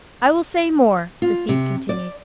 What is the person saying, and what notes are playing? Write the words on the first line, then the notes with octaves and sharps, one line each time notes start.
"I will say more," the thief continued.
F4
C3
D5